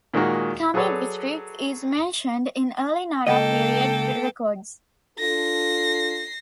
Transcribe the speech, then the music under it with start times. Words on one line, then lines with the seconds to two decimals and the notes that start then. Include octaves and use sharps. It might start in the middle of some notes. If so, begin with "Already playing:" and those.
Kami District is mentioned in early Nara period records.
0.14 A#2 D#3 G#3 A#3 F#4 A#4
0.74 F#3 G#4 A4 B4 C#5 D5
3.27 C#2 A#3 A4 D#5 G5
5.18 D4 F4 A4 A#6 C7